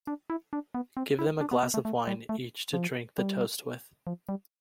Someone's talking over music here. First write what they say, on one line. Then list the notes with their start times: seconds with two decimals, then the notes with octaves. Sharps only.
Give them a glass of wine each to drink the toast with.
0.07 D4
0.30 E4
0.53 D4
0.74 B3
0.97 C4
1.19 E4
1.41 D4
1.51 B3
1.63 B3
1.74 A3
1.85 A3
2.08 G3
2.29 A3
2.73 F3
3.18 G3
4.07 F3
4.29 G3